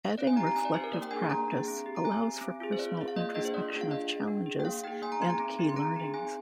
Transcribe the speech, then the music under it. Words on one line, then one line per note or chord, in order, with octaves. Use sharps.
Adding reflective practice, allows for personal introspection of challenges and key learnings.
C4 D5
G#5
D#4 G4 A#5
A#5
C4 G#5
D5
D#4 G4 C5
A#4
A#3 D5
G5
D4 G#4 G#5
A#3 A#5
D4 G#4
C4
G4
A#5
C4 G#5
G4
C4
F4 G#4
C5
C4 D5
F4 G#4
F5
A#3 D#5
D4 F4 G#4 D#5
C5
A#3 D5
D4 F4 G#4
F5
D4 D#5
G#4
D4
G#4
G5
A#3 F5
D#4 G#4 G5
A#3 G#5
A#5
D#4 G#4 C6
A#5
C4
D#4 G#4
C6
C4 A#5
D#4 G#4
C4 G#5